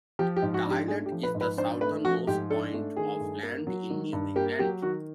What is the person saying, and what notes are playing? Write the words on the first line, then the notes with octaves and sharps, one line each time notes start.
The island is the southernmost point of land in New England.
F3 G4
G4
G#2
F#4
D4
G4
A3 G#4
G4
F3
B4
G#2
B4
D4 C5
A3 B4
F3 F#4
G#2 G4
D4 A4
A3
D#3 G#4
G2
A#3
F#3
D#3
G2
A#3 G4
F#3 G4
D#3 F#4